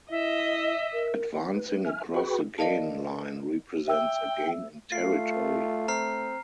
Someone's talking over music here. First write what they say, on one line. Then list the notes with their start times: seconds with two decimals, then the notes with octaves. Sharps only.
Advancing across the gain line represents a gain in territory.
0.10 E4 D#5 E5
0.93 A#4
1.54 B4
1.85 E5 G#5 F6
2.14 F#4 G#4 B4 G5 B5 C#6
2.58 A#4 D5 D#5 F5 A5
3.88 E5 G5 E6
4.92 A3 F4 C7
5.88 C4 A#5 F6 C7